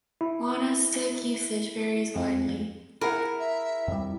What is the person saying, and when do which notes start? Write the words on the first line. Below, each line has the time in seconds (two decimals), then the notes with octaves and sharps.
Monastic usage varies widely.
0.21 E4
2.16 F2
3.01 E4 G#4 A#4 F#5 B5
3.40 E5
3.88 F2 G3